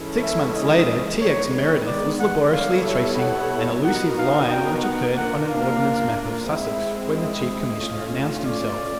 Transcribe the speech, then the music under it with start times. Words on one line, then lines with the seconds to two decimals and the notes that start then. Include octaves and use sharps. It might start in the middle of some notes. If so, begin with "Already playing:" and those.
Six months later T. X. Meredith was laboriously tracing an elusive line which occurred on an ordnance map of Sussex when the Chief Commissioner announced himself.
Already playing: E3 G#3 C#4 E4 A4
0.22 E5
0.55 D#5
1.20 D#3 G#3 B3 C#5
1.54 C#5
1.87 D5
2.20 F#5
2.53 G3 B3 E4 A4 C#5 F5
2.86 E5
3.18 F#5
3.85 B3 D#4 F#4 A#4 F#5
4.18 F5
4.50 G5
4.83 F#5
5.16 A#3 D4 F4 A#4 F#5
5.50 F5
6.48 G#3 C4 E4 E5
7.15 D#5
7.80 A3 C#4 F4
8.47 D5